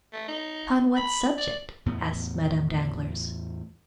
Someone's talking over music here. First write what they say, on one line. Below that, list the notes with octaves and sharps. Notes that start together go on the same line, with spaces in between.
"Upon what subject?" asked Madame Danglars.
A3
D#4
B5
D5
E2 A2 B3